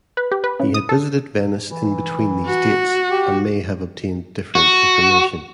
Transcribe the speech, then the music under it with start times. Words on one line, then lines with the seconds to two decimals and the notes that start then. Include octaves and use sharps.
He had visited Venice in between these dates, and may have obtained different information.
0.17 B4
0.31 G4
0.44 B4
0.60 C#3
0.74 D#6
0.89 A4
1.70 E3
2.46 F#4
3.11 G4
4.55 F#4